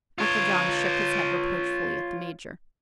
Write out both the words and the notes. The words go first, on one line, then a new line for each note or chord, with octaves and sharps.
Uncle John shook his head, reproachfully, at the Major.
F4 C#5